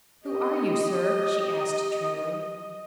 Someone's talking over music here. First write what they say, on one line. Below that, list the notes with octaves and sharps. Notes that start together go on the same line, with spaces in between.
"Who are you, sir?" she asked, trembling.
G4 D#5